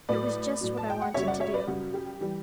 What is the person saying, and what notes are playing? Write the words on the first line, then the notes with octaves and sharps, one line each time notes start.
It was just what I wanted to do.
A2 F#3 B4 D5
A2 F#3
A5
G5
F#5
F#2 C#3 G3 C#5 E5
D5 F#5
C#5 E5
B4 D5
F#2 C#3 G3 F#4
G4
E3 G3